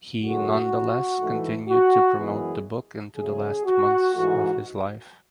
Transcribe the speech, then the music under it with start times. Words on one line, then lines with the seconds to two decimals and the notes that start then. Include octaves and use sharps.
He nonetheless continued to promote the book into the last months of his life.
0.22 F#2 D3 G#3 F#4
1.20 G#2 E3 A3
1.69 F#4
2.18 F#2 E3 G#3 B3 G#4
3.16 C#3 F#3 A3 G#4
3.66 F#4
4.14 G#2 E3 A3 F#4